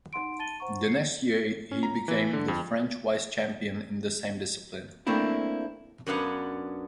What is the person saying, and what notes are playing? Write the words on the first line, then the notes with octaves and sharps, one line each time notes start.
The next year, he became the French vice champion in the same discipline.
D#4 F#5 C6 D7
A5 A6 D#7 G7
C5 F#5 A#5 C#6
C7 C#7
C#4
A#5
E3
D3
F2
A3 A#3 C4 D4 E4
F#2 B3 D4 F5 F#5 G#5